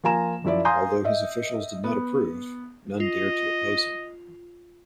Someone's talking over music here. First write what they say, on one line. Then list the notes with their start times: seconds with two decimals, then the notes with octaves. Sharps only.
Although his officials did not approve, none dared to oppose him.
0.04 F3 A#3 F4 G#5 A#5 E7
0.44 F#2 F3 E4 D5
0.65 F5 G#5 A#5 C6 D#6 G6
1.04 D#5 E5
1.84 B3
3.00 F4 D#5